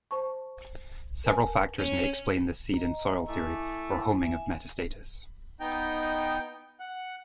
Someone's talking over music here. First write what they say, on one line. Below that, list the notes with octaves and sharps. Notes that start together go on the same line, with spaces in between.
Several factors may explain the seed and soil theory or homing of metastasis.
C5 A5 C#6
A#4 B4 G#5 A5
C#4
D#5 A#5
A3 E4 G#5 D6
E5 G#5
B3 D#4 G5
F#5